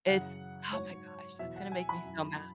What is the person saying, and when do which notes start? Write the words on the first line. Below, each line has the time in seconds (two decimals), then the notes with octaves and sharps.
It's oh my gosh, that's gonna make me so mad.
0.07 F#2 C#3 E3 F#5
0.73 G#2 F#3 C#5
1.38 E2 B2 F#3 E5
1.56 F#5
1.72 G#5
1.89 B5
2.04 F#2 E3